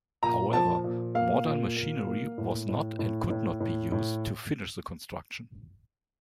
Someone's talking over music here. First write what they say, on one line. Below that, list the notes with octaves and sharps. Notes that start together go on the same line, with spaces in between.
However, modern machinery was not and could not be used to finish the construction.
A#2 A#5
F3 A5
A#2
A#3 F5
A#2
A#3
A#3
A2
A2
A2
A2
A2
A2